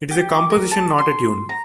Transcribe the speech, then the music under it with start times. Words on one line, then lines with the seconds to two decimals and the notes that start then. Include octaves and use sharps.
It is a composition not a tune.
0.11 G4
0.35 D6
0.50 A#4
0.71 A5
0.98 C6
1.49 A#5